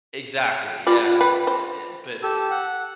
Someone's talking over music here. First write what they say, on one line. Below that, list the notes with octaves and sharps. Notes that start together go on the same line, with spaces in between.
Exactly, yeah. It it but
G3 F4 D5
B4 G5
C5
G4 A4 E6
F#5